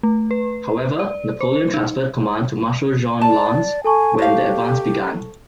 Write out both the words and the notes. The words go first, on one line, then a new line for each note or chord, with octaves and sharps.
However, Napoleon transferred command to Marshal Jean Lannes when the advance began.
A3
B4
D5
C5
D#4
D5 A5
A4 G#5 A5 C#6
G4 C5 F5